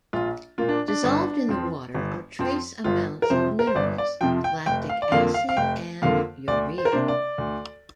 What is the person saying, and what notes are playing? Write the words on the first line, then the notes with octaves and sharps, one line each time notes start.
Dissolved in the water are trace amounts of minerals, lactic acid, and urea.
A#1 F4
A#2 A#3 F4
D4
D4
G1
F2 F3 C4
G1
F2 F3 C4
G1 F4
A#4
F2 C3 F3 C5
A#4
C5
G1 D5
D5
F2 C3 F3 G5
G5
F1 G5
F5
D5
F2 D3 A#3 F5
F5
F5
F1 G5
F2 D3 A#3 F5
D2 D5
C5
A#4
C3 A#3 D4 C5
D5
D2